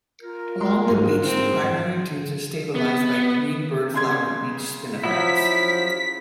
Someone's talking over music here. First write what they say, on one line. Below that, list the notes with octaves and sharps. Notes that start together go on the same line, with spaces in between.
Along the beach, the primary dunes are stabilised by green birdflower and beach spinifex.
F4 A#4
G#3 C6
G#2 F#3 G#3
C4
B3
C#3 C6 G#6
F3 F#3 E4 B6